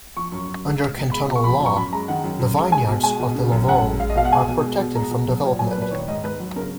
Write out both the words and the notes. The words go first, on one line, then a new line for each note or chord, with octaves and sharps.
Under cantonal law, the vineyards of the Lavaux are protected from development.
F3 C#6
F#2
F#2
G#3
G#3
B2
G#3 B5
B2
C#6
F3 B5
F#2
C#6
F#2 B5
G#3 A#5
D#3 F#5
F#2
F#2
G#3
G#3 G#5
B2
G#3 G#5
B2
C#3
F#2
F#2 F#5
G#3
G#3 F5
D#5
B2 F5
F#5
G#3 G#5
B2
G#3
B2
G#3 A#5
B2
F#3
A#2
F#3 G#5
B4
A#2
B4
D#3 C#5
G#2 D#5
G#2 B4
F#3
C#3 A#4